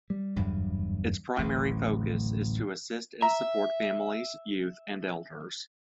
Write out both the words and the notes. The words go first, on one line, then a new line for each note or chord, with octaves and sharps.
Its primary focus is to assist and support families, youth and elders.
G3
F#1 E2 G2 F#3
D1 A1 C#3
E5 A#5